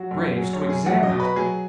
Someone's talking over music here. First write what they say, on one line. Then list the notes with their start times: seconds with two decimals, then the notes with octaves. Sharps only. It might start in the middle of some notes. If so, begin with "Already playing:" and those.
Graves to examine it.
Already playing: F#3 F#4
0.11 F#2
0.36 F#3 G#4
0.53 C#5
0.62 F#2
0.70 G#4
0.86 F#3 F#5
1.03 D#5
1.11 B2
1.20 B4
1.36 F#3 G#4